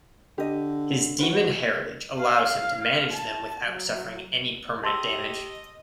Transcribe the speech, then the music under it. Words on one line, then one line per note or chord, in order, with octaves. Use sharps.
His demon heritage allows him to manage them without suffering any permanent damage.
D3 G4 D#5
F#4 B4 C5
F5
A5
F#3
G4 D#5 A5 C6 E6